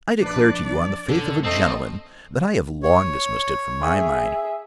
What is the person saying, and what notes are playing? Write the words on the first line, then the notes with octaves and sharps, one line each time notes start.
I declare to you, on the faith of a gentleman, that I have long dismissed it from my mind.
A#1 F3 D4 B4 D5
A#1 F2 B2 D3 C#4
A3 C4 A4 D#5
C#5
G#4 E5